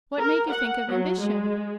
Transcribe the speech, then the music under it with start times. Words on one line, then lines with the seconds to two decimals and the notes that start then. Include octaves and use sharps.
What made you think of ambition?
0.18 A#4
0.50 F#5
0.88 F#3
1.20 G#3